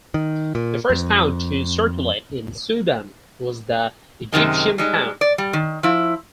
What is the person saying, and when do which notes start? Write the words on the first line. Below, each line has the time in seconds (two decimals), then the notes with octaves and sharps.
The first pound to circulate in Sudan was the Egyptian pound.
0.14 D#3
0.55 A#2
0.90 F2
4.32 F#2 C3 D#3 G#3
4.78 G3 G#3 D#4
5.21 D5
5.38 G3
5.53 D#3
5.83 F3 E4